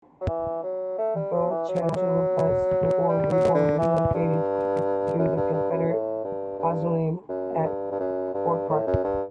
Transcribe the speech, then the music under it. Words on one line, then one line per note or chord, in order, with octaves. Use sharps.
Both generals' busts were therefore relocated to the Confederate Monument at Forsyth Park.
F#3
E3
F#3
A3
G3
F#3
E3
F#3
E3
F#3
G3
F#3
D3
E3
G2
F#2
G2
G2
F#2
A2
G2
G2
F#2
F#2
G2
G2
F#2
G2
A2
F#2
G2